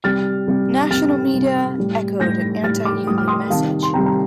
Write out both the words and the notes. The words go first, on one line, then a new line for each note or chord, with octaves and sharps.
National media echoed an anti-union message.
C3 G3 F6 A6
C3 G3
C3 G3 F6 A6
C3 G3
A2 G3
A2 G3 G6 A#6
A2 G3 F6 A6
D6 F6
A2 G3 D#6
F6
C6 D#6
C3 D#3 G3 F5 A5
C6
C3 D#3 G3 G5 A#5
A#5